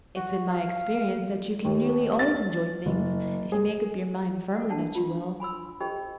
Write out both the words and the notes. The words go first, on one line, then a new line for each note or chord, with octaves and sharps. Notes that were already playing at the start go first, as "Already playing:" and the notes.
It's been my experience that you can nearly always enjoy things if you make up your mind firmly that you will.
F#4
F5
D#2
A6
F#1
G#4
A4 A#4 F5 F#5
D4 F#5 A5
F4 C6
G#5 B5 C6 E6
G4 A4 C5 D#5 G5 B5